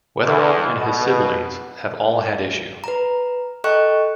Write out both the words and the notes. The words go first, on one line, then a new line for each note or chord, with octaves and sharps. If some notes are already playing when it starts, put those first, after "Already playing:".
Weatherall and his siblings have all had issue.
E2
B2
B4 A#5
A4 D#5 G5 C#6 F#6